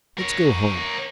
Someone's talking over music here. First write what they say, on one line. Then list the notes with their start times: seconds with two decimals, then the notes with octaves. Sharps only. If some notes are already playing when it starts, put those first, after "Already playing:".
Let's go home.
0.18 A#4 C#5